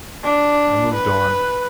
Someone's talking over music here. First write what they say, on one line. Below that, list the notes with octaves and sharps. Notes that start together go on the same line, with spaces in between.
I moved on.
D4
B4